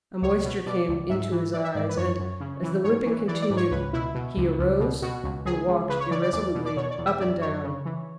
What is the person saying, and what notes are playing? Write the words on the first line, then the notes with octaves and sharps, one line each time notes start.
A moisture came into his eyes, and, as the whipping continued, he arose and walked irresolutely up and down.
C#2 C#5
B2
B2 D5
C#2
G#2 E5
E3
E3 D5
E5
G#2 D5
B4
F#2 C#5
F#2
C#3
E3
G#2 C#5
E3
E3 D5
D5
G#2
C#5
C#2 B4
B2 E4
B2
C#2
C#2
B2
B2 F#4
C#2
C#2 G#4
C#2
C#3 B4
C#5
E3 D5
D5
E2 D5
B2
D5
B2 C#5
D5
E2
E5
F#2 D5
F#2 C#5
C#3
E3